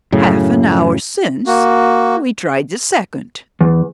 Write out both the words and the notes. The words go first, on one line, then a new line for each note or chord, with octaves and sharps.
Half an hour since we tried the second.
F#2 A2 C#3
A#3 F#4
E2